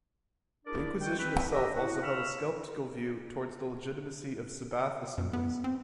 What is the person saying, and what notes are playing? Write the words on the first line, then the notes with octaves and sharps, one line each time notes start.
The Inquisition itself also held a skeptical view toward the legitimacy of Sabbath Assemblies.
D4 E4 G#4 A#4 D5
G3 G#3 F4 F#4 G5
C4 B4
G4 D#5 E5
A2 F#4
F5 B5 C#6 E6 F6
F#2
B3
C4